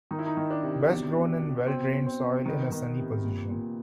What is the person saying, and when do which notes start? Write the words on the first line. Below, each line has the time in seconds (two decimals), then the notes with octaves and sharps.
Best grown in well drained soil in a sunny position.
0.11 D#3 D#4
0.19 E4
0.26 D#4
0.37 D#3
0.50 D4
0.63 C3
0.89 B2
1.15 B2
1.41 B2
1.67 B2 C4
1.93 B2
2.06 C4
2.19 B2
2.46 D#3 B3
2.72 D#3
2.98 C3
3.24 A#2
3.50 A#2